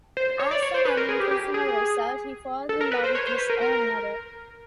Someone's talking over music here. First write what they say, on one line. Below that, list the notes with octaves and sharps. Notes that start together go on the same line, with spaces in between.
As an unintentional result, he falls in love with his own mother.
C5
C#5
D5
C#5
C5
B4
A#4
G#4
G4
G4
G#4
A4
A#4
B4
C5
C#5
C5
B4
A#4
A#4